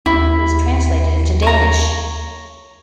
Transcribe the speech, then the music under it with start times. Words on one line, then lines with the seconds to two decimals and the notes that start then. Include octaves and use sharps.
It was translated into Danish.
0.06 D#2 E4
1.42 C#5 A#5